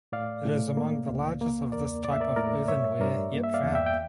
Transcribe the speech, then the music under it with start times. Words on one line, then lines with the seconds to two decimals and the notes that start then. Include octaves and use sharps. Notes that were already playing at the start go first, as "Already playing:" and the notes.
It is among the largest of this type of earthenware yet found.
0.12 A2 D5 F5
0.45 A2
0.77 A#3
1.08 C#2
1.41 A#3
1.72 E2 A#4 D5
2.05 A2 D5
2.13 E5
2.21 A#4 D5
2.36 A2 A#4 D5
2.68 G2 C#5 E5
3.00 G2 A#4 D5
3.33 A#3
3.44 E5
3.54 D5 F5
3.64 E2
3.75 E5 G5
3.86 G5